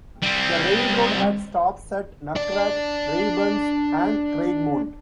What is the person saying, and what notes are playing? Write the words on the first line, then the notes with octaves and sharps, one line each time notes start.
The railroad had stops at Nucrag, Reubens, and Craigmont.
G3 C4
D4 D5